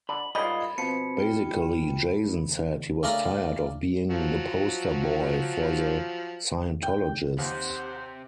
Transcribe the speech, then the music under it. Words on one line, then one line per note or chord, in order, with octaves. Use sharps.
Basically, Jason said he was tired of being the poster boy for the Scientologists.
D3 B5
G#2 G3 C#4 F4 A#4 D#5 B5 G#6
B2 F3 C4 B4 C5 C#7
F4 G5
C#3 A3 D4 A#4 A#5
F3 F#3
G5
D#2 C3 C4 G4 C5 F#5